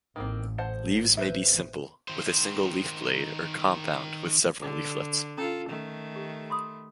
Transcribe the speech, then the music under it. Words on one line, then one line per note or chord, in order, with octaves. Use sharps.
Leaves may be simple, with a single leaf blade, or compound, with several leaflets.
A1 D#3 A#3 C4
C5 F#5 A5
B4 C5 E5
D#3 C5
D3 D6
C#4 F4 A4 A#5 E6
D#3 A3
G4
B5 C6 D#6